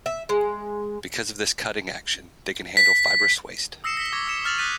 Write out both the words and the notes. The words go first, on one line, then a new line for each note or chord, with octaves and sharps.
Because of this cutting action, they can handle fibrous waste.
E5
G#3
B6
D#6 E6 A#6 C7 C#7 E7
A#6 B6 G7
C#6 D6 G#6 A#6 G7
E6 B6 C#7 E7
E6 F6 A6 F7 F#7
D#6 F#6 A6 B6 D#7